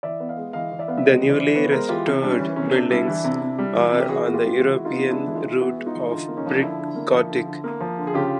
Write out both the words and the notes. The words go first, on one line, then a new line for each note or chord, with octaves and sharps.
The newly restored buildings are on the European Route of Brick Gothic.
E3 D5 E5
B3
D#5 F5
G#3
E3 D#5 F5
E3
D5 E5
B3 F5
E5
G#3 C#5 D#5
E3
C5 D5
E3
B3 B4 C#5
G#3 A#4 C5
E3 F4 G4
C3
G3 D4
C#4
E3
C3 C#4
C3 D4
G3 D4 E4
E3
C3
C3
G3
E3
C3
G4
E3 F#4 G#4
B3
F4 G4
G#3
E3 F#4
F4
E3 E4 F#4
D#4 F4
B3
G#3 D4 E4
E3
D#4 F4
E3
B3 E4 F#4
G#3
D#4 F4
E3
D3 D#4 F4
A#3
C#4 D#4
F3
D3 D4 E4
D3
A#3
F3
D3
D3
A#3
F3
D3
G#4
C#3 F4 G4